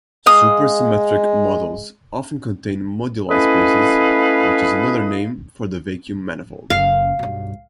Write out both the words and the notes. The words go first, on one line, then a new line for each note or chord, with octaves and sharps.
Supersymmetric models often contain moduli spaces which is another name for the vacuum manifold.
G#3 F5 D#6
A3 C#4 E4 B4 D#5 F5
F#1 F#2 F5
B1 G2